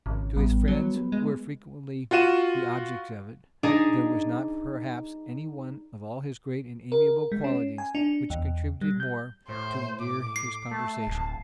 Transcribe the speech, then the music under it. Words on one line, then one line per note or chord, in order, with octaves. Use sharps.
To his friends who were frequently the objects of it, there was not perhaps any one of all his great and amiable qualities which contributed more to endear his conversation.
G#1 C#3
A1 G3 B3
F#3
B3
G#3
F4 F#4 F#5 D#7 E7
D4 D#4 G#4 D5 D#5
A#4
G#3
C#4
G#5
D4
E2
G3
G6
A2 C5
D6
C7
A3 A5
D1